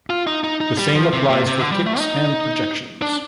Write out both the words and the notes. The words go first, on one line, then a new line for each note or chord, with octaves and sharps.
The same applies for kicks and projections.
F4
D#4
D#4
D#4
G3
F3
C3
A#2
C3
D3
G3
A3
D#4
D4